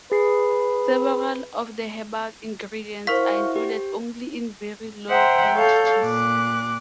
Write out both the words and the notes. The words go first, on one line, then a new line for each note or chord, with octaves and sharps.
Several of the herbal ingredients are included only in very low quantities.
G#4 B4 C7
E4 F#4 A#4 C5 F5 C#6 F6 B6
G4
C5 E5 F#5 G5 A#5 C6
A4 C#5 F5 G6
A#2 D6 F#6